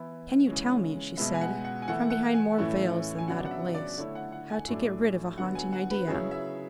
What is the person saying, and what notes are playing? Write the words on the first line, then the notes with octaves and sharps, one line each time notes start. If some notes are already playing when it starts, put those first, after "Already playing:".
"Can you tell me," she said, from behind more veils than that of lace, "how to get rid of a haunting idea?"
Already playing: E3 B3 E4
C#3 E3 G#3 C#4
B2 G#3 B3 E5
G#5
F#5
F#5
G#5
E3 A3 E4 F#5
F#5
G#5
A2 E3 A3 C#4 E4
G#5
C#3 F#3 B3 D4 F#5
F#5
E5
D5
D3 A3 E4 C#5
F#5
F#5
G#5
A2 F#3 A3 D4
D3 F#3 B3 F#5
G#5
F#5
B4
C#3 F#3 C#4 E4 G#4
E5